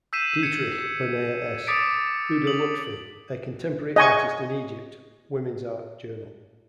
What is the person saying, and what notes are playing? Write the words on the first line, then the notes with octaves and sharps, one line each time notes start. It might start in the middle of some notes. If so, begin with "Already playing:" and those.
Dietrich, Linnea S. "Huda Lutfi: A Contemporary Artist in Egypt" Women's Art Journal.
E6 G6 B6 C7 D#7 E7
G#6 C#7
D6 D#6 A6 B6 C#7 D7
D#6 F#7
D#5 G#5 C#6